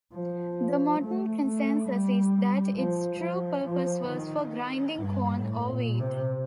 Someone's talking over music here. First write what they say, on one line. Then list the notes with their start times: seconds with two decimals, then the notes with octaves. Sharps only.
The modern consensus is that its true purpose was for grinding corn or wheat.
0.12 F3
1.00 A3
1.44 A3
1.88 G3
2.76 F3
3.20 F3
3.64 F3
4.08 D#3
4.96 G2
5.40 A2
5.70 A#2
5.99 C3